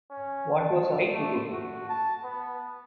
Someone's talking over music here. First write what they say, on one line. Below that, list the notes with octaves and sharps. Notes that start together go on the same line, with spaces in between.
What was I to do?
C#4
A5
A3
F#4
A5
B3